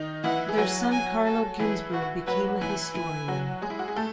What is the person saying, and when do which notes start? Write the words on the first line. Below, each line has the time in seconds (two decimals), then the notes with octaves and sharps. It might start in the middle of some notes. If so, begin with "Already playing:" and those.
Their son Carlo Ginzburg became a historian.
Already playing: D#3 D#4
0.24 E3 E4 F#5
0.49 G#4
0.58 F#3 F#4 G#5
0.92 G#5
1.26 A4
1.59 E3 E4 G#4
1.93 F#4
2.26 F#3 F#4 B4
2.61 E3 E4 G#5
2.94 E3 E4 G#5
3.28 F#3 F#4
3.62 G#3 G#4
3.70 E4
3.79 F#4
3.88 G#4
3.96 A3 A4